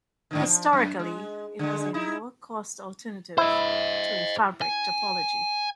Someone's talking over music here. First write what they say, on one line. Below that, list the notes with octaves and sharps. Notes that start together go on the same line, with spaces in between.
Historically it was a lower-cost alternative to a fabric topology.
G#2 D3 D#3
F3
F#2
G#3
D3 G#3
D#4 E4
E4 C5 D#5
G#5